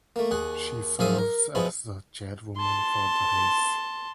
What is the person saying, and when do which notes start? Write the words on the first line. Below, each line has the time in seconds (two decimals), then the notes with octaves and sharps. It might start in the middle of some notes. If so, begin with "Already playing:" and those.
She serves as the chairwoman for the race.
0.16 A3 A#3
0.31 D#2 G#4 F#5
0.99 F#2 F3 G#4 E5 F5 D#6
1.18 A#4
1.55 B2 F3 B3 E4 G#4
2.57 A5 C6